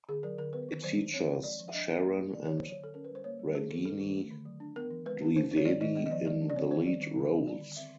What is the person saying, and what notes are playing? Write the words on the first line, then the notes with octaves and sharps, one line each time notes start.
It features Sharan and Ragini Dwivedi in the lead roles.
D3 G#4
F#3 A#4
D3 A#4
B3 B4
D#3
F#3 C5
D4
C4 C#5
F3
G#3 D5
F3
E5
D4 D#5
F#3
A#3
F#3
A#3 D5
D3 C#5
C5
F#3
C#5
D3 A4
C#4 A#4
B4
G3 C5
A#3 C#5
G3
C#4 G#4
D#3 A4
G#3 A4
D#3
A3
D3
F#3
D4
B3 A#4
E3
G#3 B4
D4
C#4 C5
D#3
C#5
G#3 D5
D#3 D#5
B3 D#5
D#5
F3 D5
G#3 D5
D4
D5
C4 C#5
D#3 C5
G3 D5
D#3
B3
D3
G3 D5
D3
C4 E5